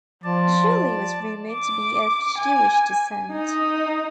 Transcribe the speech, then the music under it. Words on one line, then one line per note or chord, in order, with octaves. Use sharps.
Julie was rumored to be of Jewish descent.
F3 D5 A5
D6
G#5
D#4